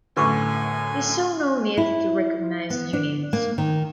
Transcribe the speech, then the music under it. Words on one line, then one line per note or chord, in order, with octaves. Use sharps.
He saw no need to recognise Unions.
F#2 A2 D3 B4 G#5 C#6 D6
E4
B3
D4
A#3
D#3